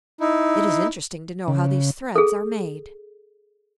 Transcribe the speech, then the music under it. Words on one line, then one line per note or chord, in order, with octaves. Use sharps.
It is interesting to know how these threads are made.
D#4 E4
C#3
G#4 A4